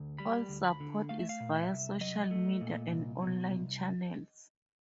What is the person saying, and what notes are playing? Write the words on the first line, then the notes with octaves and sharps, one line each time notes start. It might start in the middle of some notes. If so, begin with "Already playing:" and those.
All support is via social media and online channels.
Already playing: D2
G3 B5
D2
B5
D3
A3 F5
E5
F5
A#2
E5
C2
F#3 D#5
A3
A#2
C2
B2
C2